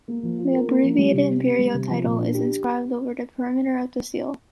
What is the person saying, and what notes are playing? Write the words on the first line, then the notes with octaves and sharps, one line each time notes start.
The Abbreviated Imperial Title is inscribed over the perimeter of the Seal.
A#3
F3
F4
A#4
A#3
F3
G3
C3
C4
G4
G3
C3
F3
A#2
D4
G4